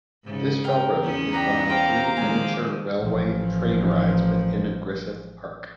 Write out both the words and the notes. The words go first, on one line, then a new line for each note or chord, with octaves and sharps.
This railroad is one of three miniature railway train rides within Griffith Park.
G#2 C#3
A#4 G5
E2 B3 C#4
B4 D5 G5 A#5
C5 F5 G5 D6
D#3 F3 G#3 G#5
A1 F3